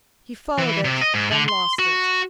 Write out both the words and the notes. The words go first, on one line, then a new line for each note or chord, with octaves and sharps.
He followed it, then lost it.
E3
C3
D#5
G#2
D3
C6
F#4